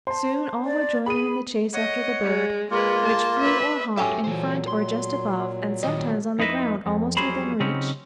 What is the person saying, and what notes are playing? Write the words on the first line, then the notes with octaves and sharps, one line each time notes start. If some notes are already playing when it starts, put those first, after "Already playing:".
Soon all were joining in the chase after the bird, which flew or hopped in front or just above, and sometimes on the ground almost within reach.
C5 A5 C6
D5
G#4 B5 D#7
C#5 D#5 F#5
G#3
G#3 A#3 F4 B4
A5
B4 E5
F#3 C#4 G4 A4 C#5 E5
A#2 E3 F#3 C5
C6
D#3 G3 D#5
F2 D#4 E4 B4 D#5 E5
F2
F2 F#3 G3 G#4 C5 B5
C#3 F#3 C4 C#4 D#4 G4